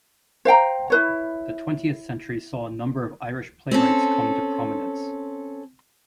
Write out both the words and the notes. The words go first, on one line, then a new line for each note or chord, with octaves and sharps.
The twentieth century saw a number of Irish playwrights come to prominence.
C5 F5 G5 A#5
E4 B4 C#5
C4 C#4 A4